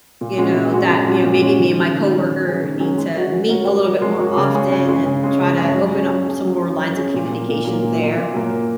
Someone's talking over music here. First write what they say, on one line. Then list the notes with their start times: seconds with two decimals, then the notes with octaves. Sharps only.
you know, that, you know, maybe me and my coworker need to meet a little bit more often, and try to open up some more lines of communication there.
0.21 A#2
0.37 G#3 C#4 F#4
0.56 A#2
0.72 G#3 C#4 F#4
0.90 A#2
1.08 G#3 C#4 F#4
1.24 A#2
1.42 G#3 C#4 F#4
1.59 D#3
1.77 F#3 C#4 G#4
1.93 D#3
2.10 F#3 C#4 G#4
2.29 D#3
2.46 F#3 C#4 G#4
2.64 D#3
2.80 F#3 C#4 G#4
2.98 G#3
3.15 F#4 A#4 C#5
3.32 G#3
3.49 F#4 A#4 C#5
3.67 G#3
3.84 F#4 A#4 C#5
4.02 G#3
4.19 F#4 A#4 C#5
4.37 C#3
4.54 G#3 C#4 G#4 C#5
4.70 C#3
4.88 G#3 C#4 G#4 C#5
5.05 C#3
5.23 G#3 C#4 G#4 C#5
5.40 C#3
5.57 G#3 C#4 G#4 C#5
5.74 F#3
5.92 C#4 G#4 C#5
6.10 F#3
6.27 C#4 G#4 C#5
6.45 F#3
6.61 C#4 G#4 C#5
6.79 F#3
6.96 C#4 G#4 C#5
7.14 A#2
7.30 F#3 A#3
7.49 A#2
7.65 F#3 A#3
7.82 A#2
7.99 F#3 A#3
8.18 A#2
8.34 F#3 A#3